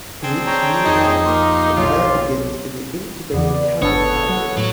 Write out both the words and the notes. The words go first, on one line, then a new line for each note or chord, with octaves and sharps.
In each new world, the player begins in the incubator cavern area.
C4 D4 G#4
C#5 G5 A#5
F2 D#4 D#6
A#3 G4 C6
B1 A#2 F#3 F4
E2 C#3 E3 B3 D5 F#5
G1 B3 D4 A4 B4 C#5 F#6
F#3 F#5
A2 F#3 C#5